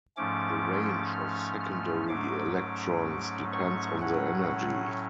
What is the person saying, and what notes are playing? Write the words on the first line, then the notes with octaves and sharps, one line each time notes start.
The range of secondary electrons depends on the energy.
G#2 F3 A3 C#4 D6
F6
F6
G#2 F#3 A3 C#4 D6
D6
C#6
A2 F#3 C#4 F#5